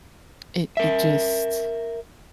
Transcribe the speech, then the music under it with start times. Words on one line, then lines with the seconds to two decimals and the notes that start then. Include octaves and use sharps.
it it just
0.77 A#4 E5